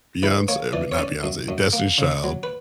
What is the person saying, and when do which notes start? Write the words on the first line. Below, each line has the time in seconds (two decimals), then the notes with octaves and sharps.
Beyoncé but not Beyoncé, Destiny's Child.
0.23 E3 B4
0.48 A#3 C#5
0.73 E3 D5
0.92 C#5
0.98 C#4 D5
1.24 F#2
1.48 F#2
1.73 A#3
1.98 C#3
2.24 F#3
2.43 B4